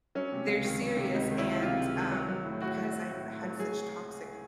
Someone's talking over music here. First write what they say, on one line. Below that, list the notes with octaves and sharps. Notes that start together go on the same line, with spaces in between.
they're serious, and, um, because I've had such toxic
F#3 C#4
C3
C#2
D#3
F#3
C3
C#2 D#4
D#3
E4
F#3
C3 F4
C#2
D#3
F#3
F#3
A2
A2 F#4
F#3
F#3
A2
A2
F#3
F#3 G#4